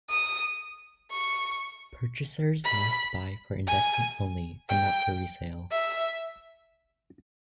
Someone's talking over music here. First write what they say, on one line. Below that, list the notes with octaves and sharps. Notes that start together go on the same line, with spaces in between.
Purchasers must buy for investment only, and not for resale.
D#6
C#6
B5
G#5
G5
E5